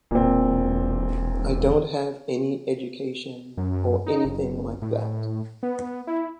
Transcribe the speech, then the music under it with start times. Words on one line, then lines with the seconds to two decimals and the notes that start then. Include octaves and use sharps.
I don’t have any education or anything like that.
0.11 E1 A#2 C4
3.57 F#2
4.06 D#4
4.25 F#1
4.82 A2
5.63 B3
6.07 E4